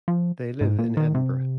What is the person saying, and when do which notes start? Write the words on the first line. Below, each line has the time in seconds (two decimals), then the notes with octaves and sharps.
They live in Edinburgh.
0.08 F3
0.61 G#2
0.79 A#2
0.97 D#3
1.15 C3